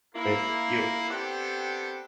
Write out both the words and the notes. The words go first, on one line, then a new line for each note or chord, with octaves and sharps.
eh you
A#3 E4
B3 C4 D4 G4 A4